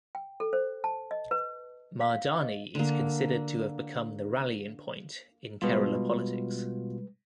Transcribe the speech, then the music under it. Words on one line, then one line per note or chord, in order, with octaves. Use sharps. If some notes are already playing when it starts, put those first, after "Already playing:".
Mahdani is considered to have become the rallying point in Kerala politics.
G5
A4
C5
A5
D#5
B4
F5
D#5
D3 A#3
B2 G3 G#3 F4 B4